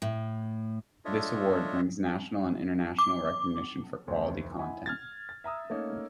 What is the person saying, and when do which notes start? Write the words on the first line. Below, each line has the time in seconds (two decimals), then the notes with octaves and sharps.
This award brings national and international recognition for quality content.
0.02 A2
1.05 D4 F4 A4 C#5 D#5 E5
2.99 D6
4.07 F1 D2 C4
4.58 E4 D#5 F#5 G#5 B5
4.86 F6 G#6 A6
5.29 A6
5.44 E5 A#5 D#6 E6
5.70 A3 A#3 C#4 D#4